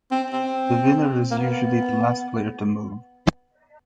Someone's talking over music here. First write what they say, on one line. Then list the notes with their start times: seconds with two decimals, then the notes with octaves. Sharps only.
The winner is usually the last player to move.
0.11 C4
0.33 C4
1.31 A#3
1.39 B3